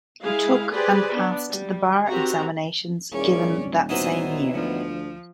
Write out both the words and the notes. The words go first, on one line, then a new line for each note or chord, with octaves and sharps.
He took and passed the bar examinations given that same year.
G#3 E4 G#4 F5
G4 G#4 B4 C5 D5
B3 D4
G3
D#3 C4 F#4 G4 A#5
D#1 A#3 C#4 E4 G#4 D5
F2 A#2 E3 F#3 B3 D#4 C5
D2 F3